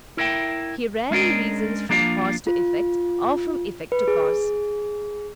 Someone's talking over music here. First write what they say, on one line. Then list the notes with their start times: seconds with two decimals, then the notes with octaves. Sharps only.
He rarely reasons from cause to effect, or from effect to cause.
0.17 E4 A#4 E5 G5
1.11 G#3 C#4 D4 A#4 D#5
1.89 F3 A#3 D4 F4 F5
2.47 F4
3.92 B4
4.08 G#4